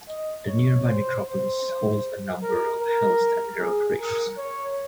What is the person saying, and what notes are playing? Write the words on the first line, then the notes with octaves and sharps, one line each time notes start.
The nearby necropolis holds a number of Hallstatt era graves.
D#5
C#5
C5
C5
A#4
A#4
G#4
A#4
C#5